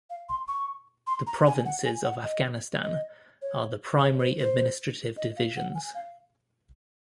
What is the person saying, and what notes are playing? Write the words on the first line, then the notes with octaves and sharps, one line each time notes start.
The provinces of Afghanistan are the primary administrative divisions.
F5
C6
C#6
C6
A#5
G#5
F#5
G#5
F#5
D#5
D#5
C#5
C#5
C5
C5
D#5
F5
F#5
G#5
F5